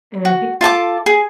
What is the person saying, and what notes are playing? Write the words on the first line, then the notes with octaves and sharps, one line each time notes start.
And I think
F#4
F4 A4 A5 D6
G#4